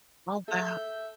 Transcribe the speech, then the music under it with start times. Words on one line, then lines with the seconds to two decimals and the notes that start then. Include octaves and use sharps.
Oh, wow.
0.48 A4 E5 G6